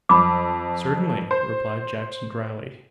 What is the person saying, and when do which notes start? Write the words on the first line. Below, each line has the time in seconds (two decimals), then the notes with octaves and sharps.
'Certainly,' replied Jackson drily.
0.09 F2 B5 D6
1.31 C5